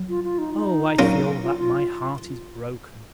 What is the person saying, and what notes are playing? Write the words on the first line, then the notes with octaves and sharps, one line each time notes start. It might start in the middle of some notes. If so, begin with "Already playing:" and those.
Oh, I feel that my heart is broken.
Already playing: F#3
F4
F4
D#4
D#4
A#2 F#3 A#3 C#4
F4
F4